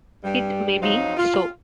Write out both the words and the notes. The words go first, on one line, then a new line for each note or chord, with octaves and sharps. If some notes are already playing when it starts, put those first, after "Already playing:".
It may be so.
G2 G3
F2 F#3 D#4 C5 F5
F4